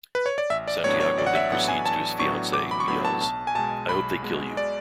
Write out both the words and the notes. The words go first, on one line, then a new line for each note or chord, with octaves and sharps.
Santiago then proceeds to his fiancee, who yells, ...I hope they kill you!
B4
C#5
D5
A1 E5
D5
A2 F#3 B3 D4 C#5
C#5
A1 D5
F#5
E5
A2 F#3 B3 D4 F#5
G#5
A1 A5
A2 F#3 B3 D4 C#6
A1 D6
B5
C#6
A2 F#3 B3 D4 B5
A5
B1 A5
G#5
B2 G#3 A5
B1 B5
B2 G#3
D5